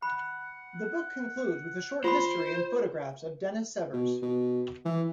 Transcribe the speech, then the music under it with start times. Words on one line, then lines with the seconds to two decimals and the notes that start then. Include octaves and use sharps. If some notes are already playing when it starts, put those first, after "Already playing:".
The book concludes with a short history and photographs of Dennis Severs.
0.02 F#5 B5
2.04 F4 C5 B5
3.93 B2
4.22 B2
4.85 E3